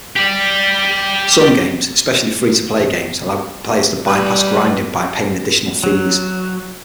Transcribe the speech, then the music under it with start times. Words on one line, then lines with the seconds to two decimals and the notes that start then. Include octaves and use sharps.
Some games, especially free-to-play games, allow players to bypass grinding by paying additional fees.
0.16 G4 D5
4.07 G3 B4
5.84 F#3